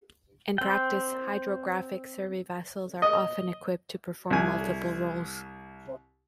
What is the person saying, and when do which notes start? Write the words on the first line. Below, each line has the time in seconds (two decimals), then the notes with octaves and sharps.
In practice, hydrographic survey vessels are often equipped to perform multiple roles.
0.58 C4 G5
3.02 D#5
4.30 C2 G#5